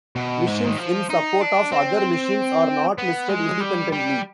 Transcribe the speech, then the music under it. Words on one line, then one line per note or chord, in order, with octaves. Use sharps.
Missions in support of other missions are not listed independently.
B2
G#2
D#3
F3
D#4
D4
C4
B3
G#3
G3
G3